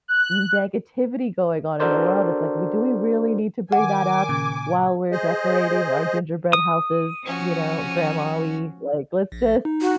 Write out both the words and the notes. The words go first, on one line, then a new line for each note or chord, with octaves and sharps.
negativity going on in the world, it's like, we "Do we really need to bring that up while we're decorating our gingerbread houses, you know, Grandma, we, like let's just
F#6
D4 F#4 A4 A#4 C5 D5
D#3 F#5 G#5 D6
A#2 C#3 G#6
G#4 C5 D#5
D#6
F3 C#4 F#4
A#1
D#4
F#4